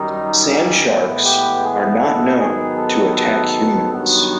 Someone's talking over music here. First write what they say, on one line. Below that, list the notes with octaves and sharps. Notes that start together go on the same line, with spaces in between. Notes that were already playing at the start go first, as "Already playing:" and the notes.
Sand sharks are not known to attack humans.
Already playing: F#2 D#3 G3 D#4
C#4
A2 E3 G#3 B3
G4
G#4
A4
G#2 D#3 F#3 B3 G#4
A4
A4
G2 D#3 F#3 B3